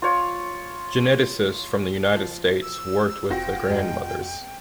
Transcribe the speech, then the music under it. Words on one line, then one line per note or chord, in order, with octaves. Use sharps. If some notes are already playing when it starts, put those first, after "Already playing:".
Geneticists from the United States worked with the Grandmothers.
F4 C#5
F3
E6
F1 C4 F4 F#4 G5 A#6
F2 G#3 A#4